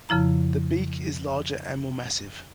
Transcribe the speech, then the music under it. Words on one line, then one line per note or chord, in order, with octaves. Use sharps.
The beak is larger and more massive.
F2 C#3 F3 E4 A#5